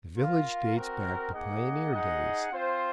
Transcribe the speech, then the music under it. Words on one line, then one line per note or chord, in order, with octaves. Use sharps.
The village dates back to pioneer days.
F4 A#4 F5
C4 F#4 A#4
A#3 D#4 G#4 D#5 F#5
D#4 G#4 D#5 F#5
C4 F4 C5